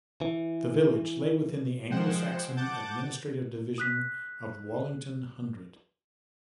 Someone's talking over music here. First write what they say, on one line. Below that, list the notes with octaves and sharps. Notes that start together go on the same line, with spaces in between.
The village lay within the Anglo-Saxon administrative division of Wallington hundred.
E3
F3 G#3 C5 F#5 G5 E7
F#5 A5 D6 G6 A6
D#6 F#6 B6